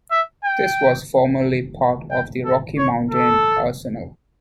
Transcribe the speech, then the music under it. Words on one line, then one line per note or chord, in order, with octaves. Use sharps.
This was formerly part of the Rocky Mountain Arsenal.
E5
G5
G5
A4
C#5
A4